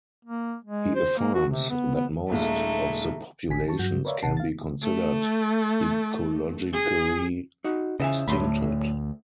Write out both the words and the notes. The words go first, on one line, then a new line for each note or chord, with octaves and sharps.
He affirms that most of the populations can be considered ecologically extincted.
A#3
G#3
C5
A#3
F#4
C3
B3
B3
D#1 A#1 G#3 A3 D#4
A1 D3 G#5 B6
D#3 A5 C#6
G2 F#3 F#4 G6
A#4 B4 C#5 D5 E5 F5
G#1 C3 F#5 A5 C7
F5 A6
A3
G#4
D#4 F#4
E2 C#3 F3 D#5 E5 G#5
D2 A2 F#3 A3 B5 C6